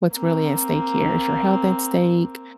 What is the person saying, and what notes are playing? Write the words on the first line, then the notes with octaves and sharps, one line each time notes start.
what's really at stake here? Is your health at stake,
A#3 C4